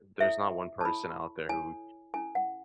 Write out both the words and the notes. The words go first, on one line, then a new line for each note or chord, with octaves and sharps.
there's not one person out there who
E4 A4 C#5 E5
A5
E4 A4 C#5 B5
E4 A4 C#5 G#5
C#4 E4 A4 G#5
F#5